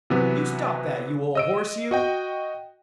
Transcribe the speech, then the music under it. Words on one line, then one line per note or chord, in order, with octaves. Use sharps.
"You stop that, you ole horse, you!"
C3 E3 F#3 B3
D#5 E6 D7
F#4 D#5 G5